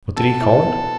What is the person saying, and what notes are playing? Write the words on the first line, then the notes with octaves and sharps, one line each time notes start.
What did he call it?
B2 A4
E4
B3